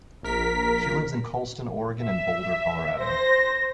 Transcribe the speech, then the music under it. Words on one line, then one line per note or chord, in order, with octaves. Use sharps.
She lives in Colestin, Oregon and Boulder, Colorado.
A#1 A#4 B6
E5
C5 A#6